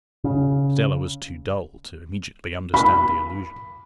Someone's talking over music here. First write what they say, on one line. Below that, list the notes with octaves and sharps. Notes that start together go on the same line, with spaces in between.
Stella was too dull to immediately understand the allusion.
C#3
B5